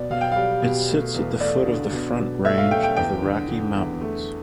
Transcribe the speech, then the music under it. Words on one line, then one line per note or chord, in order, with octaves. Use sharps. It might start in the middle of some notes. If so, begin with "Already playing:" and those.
It sits at the foot of the Front Range of the Rocky Mountains.
Already playing: B2 D5
B2 F5
G5
G3 F5
B2
A3
E2
A3 D5
D3
B2
B2
A3 E5
F5
A3 G5
G5
E2 G5
D3
D3
E2
A3